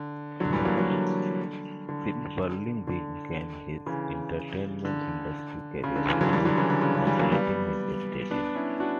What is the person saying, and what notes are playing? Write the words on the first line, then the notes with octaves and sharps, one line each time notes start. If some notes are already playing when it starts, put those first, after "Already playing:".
Silberling began his entertainment industry career before completing his studies.
Already playing: D3
D3 F#3
E3 G3
F#3 A#3
F#3 A#3
D3
D3
D3
C#3 E3
D3
C#3
D3
C#3 E3
D3 F#3
E3 G3
D3 F#3
C#3 E3
D3
C#3
C#3 E3
E3 G3
F#3 A#3
G3 B3
B3 D4
C#4 E4
D4 F#4